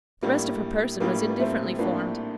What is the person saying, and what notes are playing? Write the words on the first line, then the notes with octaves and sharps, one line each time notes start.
The rest of her person was indifferently formed.
A#1 A2 G3 A#3
A#1 A2 G3 A#3
A#3
A3 C4
A#1 A2 A#3 D4